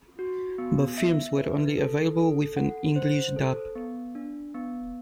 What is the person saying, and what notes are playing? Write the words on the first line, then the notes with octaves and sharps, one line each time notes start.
Both films were only available with an English-dub.
F#4
B3
E5
B4
A4
A4
F#5
C5
A4
B3
D4
B3